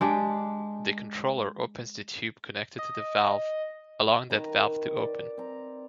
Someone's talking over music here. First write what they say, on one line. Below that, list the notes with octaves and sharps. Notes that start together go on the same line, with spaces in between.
The controller opens the tube connected to the valve, allowing that valve to open.
G#3 D4 G4
D#5
D#3 B4 A#5
D5
C4 A#5